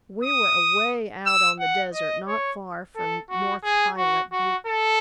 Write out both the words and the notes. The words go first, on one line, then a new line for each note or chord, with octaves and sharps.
We were away out on the desert not far from North Pilot butte.
D#6
E6
F#5
D#5
C#5
A4
F#4
G#4
F#4
F#4
A4